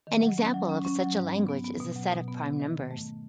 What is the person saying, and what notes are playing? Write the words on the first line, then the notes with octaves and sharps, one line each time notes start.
An example of such a language is the set of prime numbers.
D#3
F#3
C#4
F#3
C#4
C#4
F#3
G#2
B3
B3
B3
B2
F#3
B2
B3
B3
D#3
G#2
A3